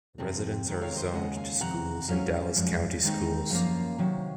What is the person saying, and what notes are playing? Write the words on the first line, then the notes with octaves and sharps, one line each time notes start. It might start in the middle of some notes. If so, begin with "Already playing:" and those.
Residents are zoned to schools in Dallas County Schools.
F2 C3 F3 C4
C3 D#3 G#3
C#5 F5
C5 D#5
D#2 C#3 G#3 D#5 F#5
F5 G#5
F2 C3 D#3 F#5 A#5
G#2 F#3 C#4 F5 G#5
F#2 F3 G#3
D#2 D#3 G#3 C4 D#4
F#2 F3 A#3 F5 G#5
C3 D#3 F#3